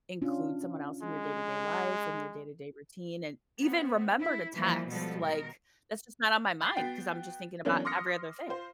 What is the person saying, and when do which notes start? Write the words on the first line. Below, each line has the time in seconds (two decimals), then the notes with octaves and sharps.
include someone else in your day-to-day life and your day-to-day routine, and even remember to text, like, that's just not on my mind, 'cause I'm just thinking about every other thing.
0.22 C#4 D4 F4
1.02 G#3
3.62 B3 C4
4.20 E4
4.57 E3 F3 G3 A#3
4.89 B2 F3 G3 G#3 A4
5.22 B2 D#3 A#4
6.61 B5 A6 B6 C7
6.77 B3 F#4 G5
7.65 E3 F#3 A#3 B3 C#4 D4
7.85 C6 D6 D#6 F6 A#6 C#7
8.48 F4 C5